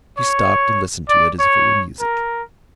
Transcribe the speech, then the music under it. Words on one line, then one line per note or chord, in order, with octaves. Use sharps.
She stopped, and listened to it as if it were music.
C#5
D5
C#5
A#4